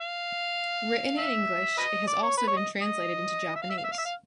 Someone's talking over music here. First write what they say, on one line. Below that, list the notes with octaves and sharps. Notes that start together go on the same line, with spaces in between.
Written in English, it has also been translated into Japanese.
F5
E5
B4 D#5
D5
C#5
B4
C#5
D#5
D#5
E5
F5
E5
F5
E5
F5
E5
F5